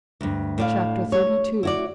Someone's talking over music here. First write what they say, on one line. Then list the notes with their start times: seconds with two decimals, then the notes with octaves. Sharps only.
Chapter XXXII.
0.21 D2 G2
0.58 A2 D5 F5
1.12 C#5
1.63 E4 F#4 D5